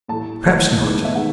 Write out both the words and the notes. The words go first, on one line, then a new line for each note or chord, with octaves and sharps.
Perhaps not.
A2 E3 A3 A5
A2 E3 A3 A5
D#3 G#3 B3
E5
D#3 G#3 F#5